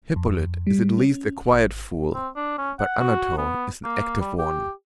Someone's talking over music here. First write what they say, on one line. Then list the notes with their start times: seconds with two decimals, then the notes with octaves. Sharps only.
Hippolyte is at least a quiet fool, but Anatole is an active one.
0.16 F2
0.67 G3
0.98 C#4
1.53 G#1
2.14 C4
2.36 D4
2.58 C#4
2.79 F#5
3.00 F#4
3.38 B3
3.84 A#3
4.20 G3
4.39 G4